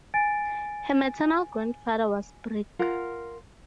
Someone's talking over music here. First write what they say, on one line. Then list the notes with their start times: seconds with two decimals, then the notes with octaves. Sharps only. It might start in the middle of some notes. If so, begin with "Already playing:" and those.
Her maternal grandfather was Brig.
0.14 G#5 A6 D7
2.79 F4 A#4 F#5